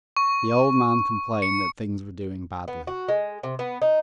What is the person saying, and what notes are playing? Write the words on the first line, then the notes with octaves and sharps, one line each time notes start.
The old man complained that things were doing badly.
C#6
C#7
B3
F#4
G#3
C3
B3
D#4